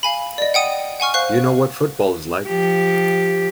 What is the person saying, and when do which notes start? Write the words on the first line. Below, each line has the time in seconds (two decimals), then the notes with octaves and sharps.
You know what football is like.
0.03 F5 G#5 B5
0.38 D5 D#5
0.54 F#5 G5 D#6 D#7
1.00 F#5 G#5 C#6 F6
1.14 C5 F5 C#6 F#6
2.47 F3 G4